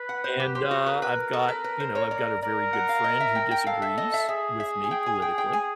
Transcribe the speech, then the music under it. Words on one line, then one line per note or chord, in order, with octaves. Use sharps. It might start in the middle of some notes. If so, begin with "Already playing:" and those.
And, uh, I've got you know, I've got a very good friend who disagrees with me politically,
Already playing: B4
F#5
C5
G4
G4 C5
F#4
A#4 B4
B4
A4
B4
B4
C5
C#5
D5
A#4 D5
F#5
F5
D#5
E5
G5
G5
A4 F5
E5
D#5
E5
G#4 E5
E5
G#5
G5
G#5
G5
G5
G#5